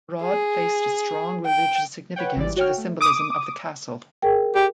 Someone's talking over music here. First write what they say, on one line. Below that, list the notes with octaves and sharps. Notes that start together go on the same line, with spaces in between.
Brod placed a strong religious significance to the symbolism of the castle.
G#4
G5
B4 C#5 F#5 G5
G#1 E3 G3 D5
F#4 C#5 G5 F6
A3
D6 D#6
G#4 A#4 G5
G4